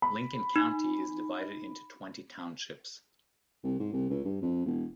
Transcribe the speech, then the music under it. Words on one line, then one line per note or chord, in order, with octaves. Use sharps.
Lincoln County is divided into twenty townships.
B5
D#4
C2
G#2
C2
C#2
G2
F2
E1